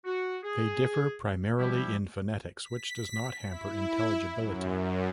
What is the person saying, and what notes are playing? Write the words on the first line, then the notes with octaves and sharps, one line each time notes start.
They differ primarily in phonetics, which does not hamper intelligibility.
F#4
G#4
F3 G3 E4 G4
B6
E4
F#2